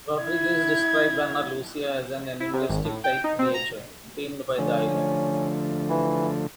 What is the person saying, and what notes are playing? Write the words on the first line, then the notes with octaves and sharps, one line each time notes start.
Rodriguez described Ana Lucia as an animalistic type creature... tamed by the Island.
E4 G#6
E4
C3
G#1
A2
G5
D#4
C4
A#5
D3 F3 A3 C#4
E3